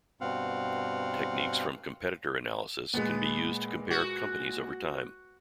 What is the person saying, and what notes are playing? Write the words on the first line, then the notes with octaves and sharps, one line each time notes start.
Techniques from competitor analysis can be used to compare companies over time.
G2 B2 C4 F5 F#5
A#2 G#3 B3
F#4